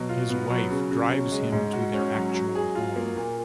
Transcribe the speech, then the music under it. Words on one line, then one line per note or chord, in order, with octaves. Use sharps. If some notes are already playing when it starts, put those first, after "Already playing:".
His wife drives him to their actual home.
Already playing: B2 F#3
F4
B3
F#3
C#3
C#3
C#4
G#3
G#2
F#4
C#4
F#3
F#3
G#4
F4
A#3
A#2